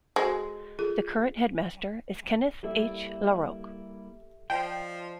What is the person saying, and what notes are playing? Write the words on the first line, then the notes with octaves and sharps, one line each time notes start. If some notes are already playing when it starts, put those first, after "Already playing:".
The current headmaster is Kenneth H. LaRocque.
G#3 F#4 A4 C5
F4 G#4 A4
G3 A#3 E4 G4 A4 E5
F3 C5 D5 D#5 G5